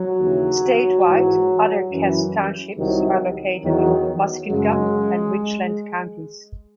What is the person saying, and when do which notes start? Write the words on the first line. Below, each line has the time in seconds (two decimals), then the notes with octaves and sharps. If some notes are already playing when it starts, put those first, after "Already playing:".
Statewide, other Cass Townships are located in Muskingum and Richland counties.
Already playing: F#3
0.19 D#2 C#3 E3
1.06 G#2 E3
1.91 F#2 E3
2.76 C2 C3 D#3 F#3
3.62 E2 D#3 F#3
4.48 F#2 C#3 F#3 G#3